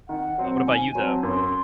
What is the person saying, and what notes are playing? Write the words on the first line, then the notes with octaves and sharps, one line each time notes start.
Uh, what about you though? What what, uh
D#3 F#5
F#3 C4
D#3 G#5
G#5
F#3 C4
A5
F#2 C6